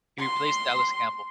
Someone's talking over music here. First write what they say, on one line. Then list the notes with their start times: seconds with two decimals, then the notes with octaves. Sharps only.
He replaced Dallas Campbell.
0.19 C6